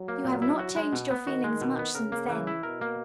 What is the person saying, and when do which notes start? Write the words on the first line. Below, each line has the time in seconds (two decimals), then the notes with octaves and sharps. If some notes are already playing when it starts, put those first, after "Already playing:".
You have not changed your feelings much since then.'
Already playing: F#3
0.08 A#3
0.24 A#2
0.42 E4
0.59 F#4
0.76 G#3
0.93 B2
1.11 B3
1.27 D#3 F#4
1.44 G#3
1.61 B2
1.79 B3
1.95 C#3 A#4
2.12 A#3
2.30 E3
2.47 E4
2.63 B2 A#4
2.81 A#3